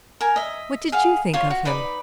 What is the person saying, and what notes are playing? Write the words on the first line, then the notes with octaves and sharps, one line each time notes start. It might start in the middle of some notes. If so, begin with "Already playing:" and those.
What did you think of him?'
A#4 G#5
D#5 E5
G#4 F5 F#5
F4 C5 C#5
F#4
D#4 B4 D5 B5